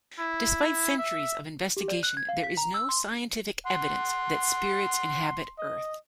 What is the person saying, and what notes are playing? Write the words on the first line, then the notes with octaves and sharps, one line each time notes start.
Despite centuries of investigation, there is no scientific evidence that spirits inhabit Earth.
E4
E5
G4
D5
F#6
G#6
F5
B6
A#5
E6
C6
F#5 C6
D#5